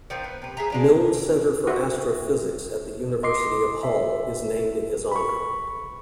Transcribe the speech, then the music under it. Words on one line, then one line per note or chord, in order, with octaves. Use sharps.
Milne Centre for Astrophysics at the University of Hull is named in his honour.
D#3 F3 C4
B3
C3 B4
G#4 E5 A#5
G#3 D4 F4
F#4 C5 E5
D#5 C6 D6 C7
E5
B5 C#6